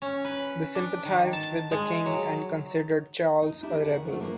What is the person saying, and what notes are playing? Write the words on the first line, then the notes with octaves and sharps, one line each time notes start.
They sympathised with the King and considered Charles a rebel.
C#4
B4
D4
D#3
A5
G#3
F#3
D#4
D4 E4 G4
D#3 G#4 F#5
F3 F#3 A3
A#3 D4 E4 F4 A#4